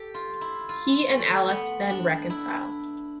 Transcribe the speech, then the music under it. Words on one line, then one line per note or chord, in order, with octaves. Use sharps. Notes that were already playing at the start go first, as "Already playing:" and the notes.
He and Alice then reconcile.
Already playing: G4 A4
F4
E4
F4
A3
B3
D4
E4